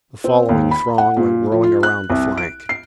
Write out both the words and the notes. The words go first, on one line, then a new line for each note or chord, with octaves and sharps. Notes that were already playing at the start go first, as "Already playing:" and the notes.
The following throng went whirling around the flank.
C4
D#2
B5
F#5
A#2
F3
F4
F#6
C2
D7
C7